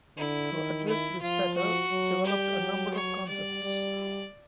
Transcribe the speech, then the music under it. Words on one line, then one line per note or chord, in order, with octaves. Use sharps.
To address this Petter, developed a number of concepts.
D3 E4
D#3
E4
F3 F4
F#4
F#3
G3 G4
F#3
C#5
G3 D5
G3